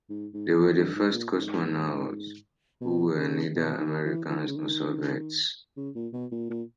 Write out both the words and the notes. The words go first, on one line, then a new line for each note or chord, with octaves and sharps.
They were the first cosmonauts who were neither Americans nor Soviets.
G#2
G#2
E2
G2
G#2
A#2
G#2
B2
C#3
B2
D#3
E3
E3
D#3
C#3
D#3
C#3
A#2
B2
A#2
A#2